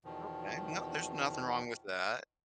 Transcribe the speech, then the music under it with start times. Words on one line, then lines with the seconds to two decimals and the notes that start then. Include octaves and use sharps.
Okay, well there's nothing wrong with that.
0.05 E2 B2 D#3 F3